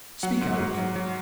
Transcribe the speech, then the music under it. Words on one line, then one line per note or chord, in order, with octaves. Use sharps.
"Speak out."
F#3 F#5
G#2
G#2
F#3
F#3